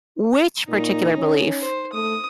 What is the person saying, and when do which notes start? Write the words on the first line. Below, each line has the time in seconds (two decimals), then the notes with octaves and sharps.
which particular belief,
0.69 A#2 D#4
1.16 C#4
1.62 C5
1.93 A3 D#6